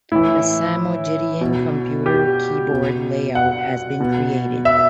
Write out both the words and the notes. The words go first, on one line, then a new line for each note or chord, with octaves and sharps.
A Samogitian computer keyboard layout has been created.
A2 E3 E4
B2
G4
B2
F#5
B2
E5